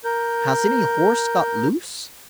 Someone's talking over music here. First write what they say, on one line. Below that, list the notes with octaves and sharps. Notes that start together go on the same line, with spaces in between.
"Has any horse got loose?"
A#4 G6